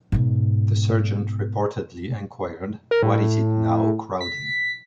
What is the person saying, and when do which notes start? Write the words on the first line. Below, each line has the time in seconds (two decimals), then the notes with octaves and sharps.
The sergeant reportedly enquired What is it now, Crowden?
0.12 G#2 B2
2.91 A#4
3.03 A2
4.21 B6